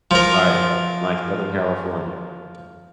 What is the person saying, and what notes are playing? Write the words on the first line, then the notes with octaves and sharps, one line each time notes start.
Right, like Southern California.
F3 A#4